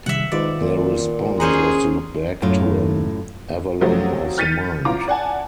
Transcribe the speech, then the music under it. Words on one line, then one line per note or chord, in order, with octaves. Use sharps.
Their response was to look back to an Avalon of the mind.
C3 D#3 G3 E5 F#5
G#2 D#3 F4 B4 D5
A#2
C#4 G#4 C5 F#5 A#5 C6
F#2 A2 A3 F4
C3 F3 F#3 A3
F6 G6 A6 B6 C#7 D#7
A1 F4 A#5 D6
D5 F#5 G#5 A5